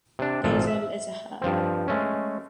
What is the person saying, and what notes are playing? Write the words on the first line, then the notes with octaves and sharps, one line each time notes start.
Basil is a herb.
C3 D4
G#1 A#2 F3 F4 A4
E5
G2 F3 C4
G#3 A3 C#4